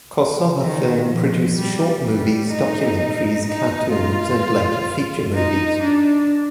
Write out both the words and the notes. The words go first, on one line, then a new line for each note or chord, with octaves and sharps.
Kosovafilm produced short movies, documentaries, cartoons and later feature movies.
D#3
F3
G3
G3
D#4
D#4
F4
D#4
D4